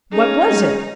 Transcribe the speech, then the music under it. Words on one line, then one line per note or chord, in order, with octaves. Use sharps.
What was it?
C#4 D#4 G#4
G#3